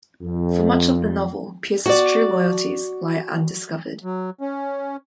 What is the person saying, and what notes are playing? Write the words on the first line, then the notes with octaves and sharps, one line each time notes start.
For much of the novel, Pierce's true loyalties lie undiscovered.
F2
F#4 D5
F#3
C#4